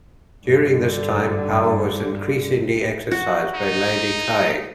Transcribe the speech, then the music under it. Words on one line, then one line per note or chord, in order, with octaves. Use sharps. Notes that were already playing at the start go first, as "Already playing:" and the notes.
During this time power was increasingly exercised by Lady Ki.
G2 D3
F#4
D#4